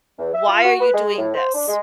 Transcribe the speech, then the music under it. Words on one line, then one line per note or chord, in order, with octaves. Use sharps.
why are you doing this?
E2
E5
F4
F#4
B4
G#3
A2
C5
D4
G#3